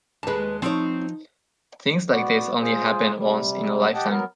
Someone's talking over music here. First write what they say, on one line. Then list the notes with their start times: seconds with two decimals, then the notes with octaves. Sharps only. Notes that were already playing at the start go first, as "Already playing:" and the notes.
Things like this only happen once in a lifetime.
0.23 D#2 G#3 B4 A5
0.62 F3 C4 D#4 C#5
2.09 B3 F#4 D5
2.60 F4 G#4 C5
3.16 C3 G3
3.95 G4 D#5 F#5 G5 A5
4.08 F#3 B3 A#4